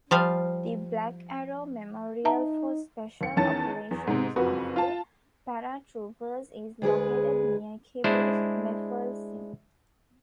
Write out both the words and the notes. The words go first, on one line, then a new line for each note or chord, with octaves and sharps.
The "Black Arrow"-memorial for special operations of the paratroopers is located near kibbuz Mefalsim.
F3 G3 F5
D#4 E5 A5 A#5
D#2 C#7
E2 D#3 E3 C#4 A5 A6
E2
G#2 C3
F#1 F2 F#4 B4
F4 A5
D2 G#3 G#4 B4
G#3 D4 E4 C5